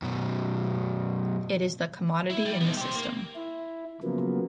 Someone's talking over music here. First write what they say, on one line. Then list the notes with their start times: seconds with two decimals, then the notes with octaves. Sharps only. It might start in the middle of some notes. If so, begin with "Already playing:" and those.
It is the commodity in the system.
0.02 F#2 B2
2.30 E4
2.46 G3
2.61 B3 D#4
2.77 G4 C5
2.94 A#3
3.36 E4
4.03 C#3 F3 F#3 A#3 B3